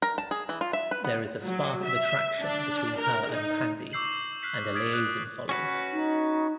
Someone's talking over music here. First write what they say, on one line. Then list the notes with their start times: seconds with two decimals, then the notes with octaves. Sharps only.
There is a spark of attraction between her and Pandey and a liaison follows.
0.02 A#4
0.18 A5
0.31 G#4
0.49 E3
0.61 F4
0.73 E5
0.91 B4
1.04 B3
1.45 F#3
1.84 E5
2.39 D4
2.97 A#4
3.31 D#4
3.92 C#6 D6 E6 G6 C7 F#7
4.43 F6 F#6 B6 C7
4.74 D#6 F6 G#6 A6 B6 D7
4.93 D#6 F#6
5.49 C#4 F#4 B4
5.93 D#4